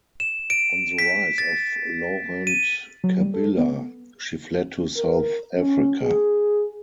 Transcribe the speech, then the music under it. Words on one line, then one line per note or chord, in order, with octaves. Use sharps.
On the rise of Laurent Kabila, she fled to South Africa.
E7
D7
B6
A6
D#7
F#3
G3
A4
B3
A#4
C#4
G#4